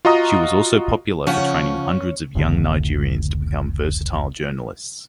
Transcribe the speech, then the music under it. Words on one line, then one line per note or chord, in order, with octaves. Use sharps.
She was also popular for training hundreds of young Nigerians to become versatile journalists.
F4 F#4 D#5 A#5 D#6
C#3 F3 C#4 F#5
F1 C#2 A2 D3